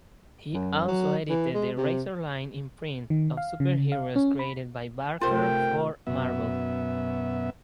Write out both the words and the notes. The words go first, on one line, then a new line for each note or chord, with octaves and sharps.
He also edited the "Razorline" imprint of superheroes created by Barker for Marvel.
F#2
F#3
E3
G#3
C3
D#3
F5
C#3
F5
C#4
B5
C3 A3 F4 A#4 C5 G5
F#2 B2 B3 E5